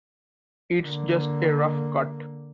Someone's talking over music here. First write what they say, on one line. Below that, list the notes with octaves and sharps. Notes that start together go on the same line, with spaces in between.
It's just a rough cut.
D3 A#3